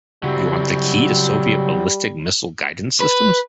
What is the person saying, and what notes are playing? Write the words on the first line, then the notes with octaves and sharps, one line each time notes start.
You want the key to Soviet ballistic missile guidance systems?
C#3 F#3 G3 C4 E4 F#4
B4